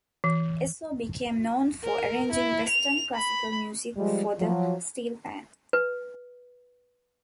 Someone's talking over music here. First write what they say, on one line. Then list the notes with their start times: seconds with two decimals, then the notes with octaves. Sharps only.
Esso became known for arranging Western classical music for the steelpan.
0.24 E3
1.84 A#4
2.33 E4
2.69 F7
3.16 B5
3.97 F3 G3 G#3
4.38 F3 F#3
5.73 B4